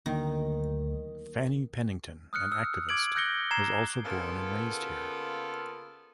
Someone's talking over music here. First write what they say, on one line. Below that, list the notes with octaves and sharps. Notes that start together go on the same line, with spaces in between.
Fannie Pennington, an activist, was also born and raised here.
D2 D#3 F#3 A#3 D#5
D#6 F6 F#6 C#7
E6
D6 G#6 D7 F#7
E6 F#6 G6 A#6 C#7 G7
A#5 G#6 C7 E7
C#3 A#3 B3 F4 A4